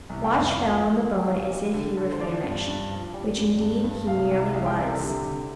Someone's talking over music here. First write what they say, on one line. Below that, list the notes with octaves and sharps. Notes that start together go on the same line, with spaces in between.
Watch fell on the bone as if he were famished, which indeed he nearly was.
C2
G5
F2 F5
F3
F3
F3
G5
G3 F5
G3
D3
D3
C5
F3 D5
G2
G2
F3
G3 D5
G2
G2
G2
C3 F5
C2
C2 F5
G5
C3 D5
A4
D3 G4
D3